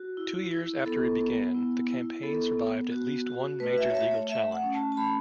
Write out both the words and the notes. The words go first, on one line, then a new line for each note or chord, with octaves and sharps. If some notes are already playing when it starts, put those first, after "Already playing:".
Two years after it began, the campaign survived at least one major legal challenge.
Already playing: F#4
E4
E4
B3 A4
B3
E4
E4
B3 A4
B3
F#4
F#4
A3 B4
E5
C#5
A3 E5
C#5
A3 E5
F#5
C#4
A5
A5
A3 B5